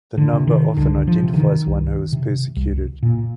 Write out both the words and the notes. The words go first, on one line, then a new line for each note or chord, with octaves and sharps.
The number often identifies one who is persecuted.
D3
C3
D#3
C2 D3
F3
C3
D3
D#3
C2
C3
C2
A#2